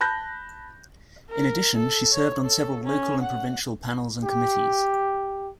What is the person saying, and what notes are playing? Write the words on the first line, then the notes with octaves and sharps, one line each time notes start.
In addition, she served on several local and provincial panels and committees.
A5 B5 F#6 G6 A#6
A#4
A4
C#5
A4
C#4
F#5
G4